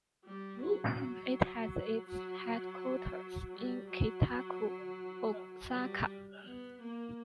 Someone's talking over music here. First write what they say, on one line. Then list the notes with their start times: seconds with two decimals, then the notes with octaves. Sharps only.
It has its headquarters in Kita-ku, Osaka.
0.25 G3
0.61 F#3
2.07 F#3
3.53 G3
3.89 F#3
5.71 G3
6.45 B3
6.81 A#3